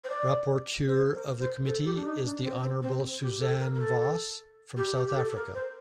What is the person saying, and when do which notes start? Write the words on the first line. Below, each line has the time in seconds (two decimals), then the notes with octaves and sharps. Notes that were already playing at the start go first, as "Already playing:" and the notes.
Rapporteur of the Committee is the Honorable Suzanne Vos from South Africa.
0.04 C5
0.10 D5
0.88 C5
1.14 A#4
1.40 C5
1.66 A4
1.85 G4
1.96 D4
2.05 D#4
2.24 D4
2.43 C4
2.62 C4
2.83 C4
3.22 G4
3.40 A4
3.60 A#4
3.74 A#4
3.80 A4
4.77 G4
4.96 G4
5.07 G4
5.16 A4
5.31 A4
5.36 A#4
5.54 C5